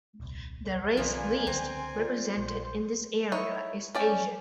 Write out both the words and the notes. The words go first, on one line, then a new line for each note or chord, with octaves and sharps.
The race least represented in this area is Asian.
D#1 C2
B1 D#3 F3 A#3 A#4 B4 D5 G#5
C#2 D3 F3 C4
F4 D5
A#1 C5
D#4 E4 C#5
A3 C#4 D5 G5